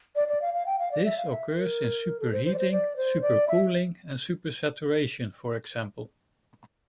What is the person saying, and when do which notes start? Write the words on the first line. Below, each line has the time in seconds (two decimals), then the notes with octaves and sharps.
This occurs in superheating, supercooling, and supersaturation, for example.
0.16 D5
0.28 D5
0.42 F5
0.54 F5
0.66 G5
0.79 F5
0.92 D5
1.05 E5
1.18 F5
1.31 E5
1.56 A#4
2.20 A4
2.33 C5
2.45 C5
2.54 D5
2.58 C5
2.71 D5
2.97 C5
3.21 D5
3.48 E5